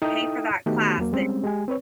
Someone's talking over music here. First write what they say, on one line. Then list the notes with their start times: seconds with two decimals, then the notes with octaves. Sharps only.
pay for that class and
0.02 D#4 E4 A4 E5 G5 D#6
0.66 D#3 A3 B3 D#4 F#4 G4
0.98 E2 F#3 A#3
1.13 G3 G#3 C4 C#4
1.44 G#3 G4 G#5
1.68 C4 B4 C#5